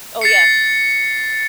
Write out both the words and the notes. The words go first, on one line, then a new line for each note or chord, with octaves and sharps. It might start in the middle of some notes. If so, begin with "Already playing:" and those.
Oh, yeah.
A6 C7 C#7